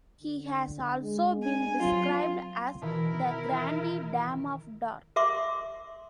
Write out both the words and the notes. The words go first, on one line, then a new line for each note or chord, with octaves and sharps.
He has also been described as "the grande dame of drag".
D3
G#3
D4 G#5
F#3 C4 F4
B2 D#3 E3 E4 A#4
A#4 E5 C6 D6